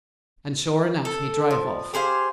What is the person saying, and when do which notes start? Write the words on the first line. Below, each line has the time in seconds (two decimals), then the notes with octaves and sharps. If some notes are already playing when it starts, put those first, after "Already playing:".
And sure enough, he drove off.
1.05 A4
1.50 F3
1.94 G4 G#4 C5 F5